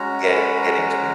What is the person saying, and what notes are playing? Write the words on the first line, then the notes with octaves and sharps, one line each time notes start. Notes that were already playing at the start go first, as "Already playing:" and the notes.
get get into it.
Already playing: G#3 C#4 F#4 A#5
B5
A#5